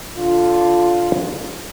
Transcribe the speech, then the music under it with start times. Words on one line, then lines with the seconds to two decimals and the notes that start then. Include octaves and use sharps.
She’s laughing at me because i have soap on my face.
0.16 D3 F4